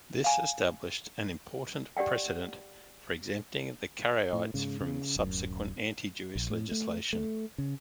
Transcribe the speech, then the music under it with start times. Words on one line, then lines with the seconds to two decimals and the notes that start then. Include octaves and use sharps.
This established an important precedent for exempting the Karaites from subsequent anti-Jewish legislation.
0.24 F5 G#5
1.97 G4 D5 F#5 G5
4.33 A2
4.54 G#2 C#3
4.81 C#3
5.16 D1 F#2
6.35 A#1
6.50 A2
6.71 A3
7.13 A3
7.58 C#3